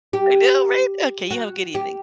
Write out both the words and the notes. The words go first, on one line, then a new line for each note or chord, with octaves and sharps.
I know, right? Okay, you have a good evening.
G4
F#4
G4